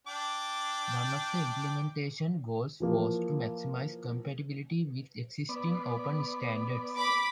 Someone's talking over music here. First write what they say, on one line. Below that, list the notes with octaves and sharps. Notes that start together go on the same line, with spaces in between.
One of the implementation goals was to maximize compatibility with existing open standards.
D4 G5 D6
E3 F3 A#3
B3 D5
B5 D6